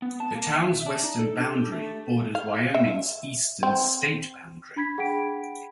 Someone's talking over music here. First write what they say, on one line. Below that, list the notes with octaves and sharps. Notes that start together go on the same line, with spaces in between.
The town's western boundary borders Wyoming's eastern state boundary.
B3
A5
A#3
E5
D4
D#4
A4
D4
G4
A3
F5
E5
C4
D4 B5 G#6 B6
G#4 F#5 G5 B5 D7